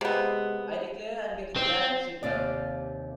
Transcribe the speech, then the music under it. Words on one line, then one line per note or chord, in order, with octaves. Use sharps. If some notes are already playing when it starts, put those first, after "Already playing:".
I declare I’m getting glad to sit down.
C3 G#3 B3
C4
D#2 C3 D4 D5 F5